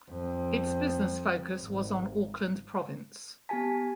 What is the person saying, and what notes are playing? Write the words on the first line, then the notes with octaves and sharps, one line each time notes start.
Its business focus was on Auckland Province.
F2
G#1
B3 G4 G#5 A5 B6